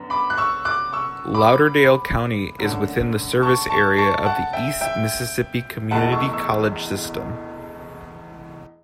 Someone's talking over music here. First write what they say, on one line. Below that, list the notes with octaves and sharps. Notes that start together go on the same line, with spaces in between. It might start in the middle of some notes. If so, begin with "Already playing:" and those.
Lauderdale County is within the service area of the East Mississippi Community College system.
Already playing: F#2 D3 B3
B5 D6
F#6
C#6 E6
D6 F#6
C#6 E6
B5 D6
F#2 D3 A3
A5 C#6
A5 C#6
A5 C#6
F#5 A5
E5 G5
E5 G5
E1 E2 B2 A3 F#5 A5
C#6 E6
C#6 E6